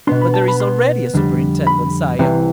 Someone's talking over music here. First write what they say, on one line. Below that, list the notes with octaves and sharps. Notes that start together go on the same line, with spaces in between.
"But there is already a superintendent, sire."
B2 B3 D4 C6
B5
A5
B5
C6
F2 D3 G3
B5
C2 C3 E3